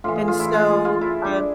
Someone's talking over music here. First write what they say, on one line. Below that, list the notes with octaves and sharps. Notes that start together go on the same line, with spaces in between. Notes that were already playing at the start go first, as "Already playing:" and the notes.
And so, um
A2 E3 F4
G#4
F4
E4
F4
G#4
F4
E4
D4